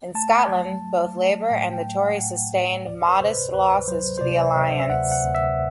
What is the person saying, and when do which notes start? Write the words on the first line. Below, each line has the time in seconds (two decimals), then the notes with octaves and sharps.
In Scotland, both Labour and the Tories sustained modest losses to the Alliance.
0.14 A3 A5
0.48 F#3
0.82 F#3
1.17 A3
1.51 A2 G5
1.73 G5
1.84 F#3
1.96 F#5
2.19 A2
2.52 A2
2.86 D2 D5
3.09 B4
3.21 C3 C5
3.31 B4
3.53 D2 B4
3.88 F#3 C5
4.18 C5
4.21 C3 D5
4.55 C3 E5
4.80 E5
4.90 D2 F#5
5.12 F#5
5.23 D2
5.35 E5